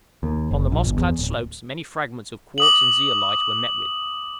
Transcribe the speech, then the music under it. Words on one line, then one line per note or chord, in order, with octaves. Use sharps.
Upon the moss-clad slopes many fragments of quartz and zeolite were met with.
D#2
F#1
A#1
G1
E2
D1
D6 D#6 F#7